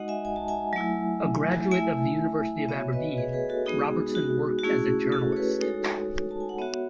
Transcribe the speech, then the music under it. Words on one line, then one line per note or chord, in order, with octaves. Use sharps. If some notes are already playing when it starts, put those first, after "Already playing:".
A graduate of the University of Aberdeen, Robertson worked as a journalist.
Already playing: G#3 D#4 F#4 D#5 F#5
E5 G#5
G#5
A5
E5 G#5
F#3 A3 E4
A3 E4 E5 G#5
B3 F#4 C#5 E5
B4 D#5
G#4 B4
G#4 B4
F#4 A4
G#3 B3 D#4 F#4 G#4
F#4
F#4
A3 C#4 E4 G#4
F#4 A4
C#5
G#4 B4
G#3 D#4 F#4 A4 C#5
A5
G#5
F#5
B3 F#4 C#5 E5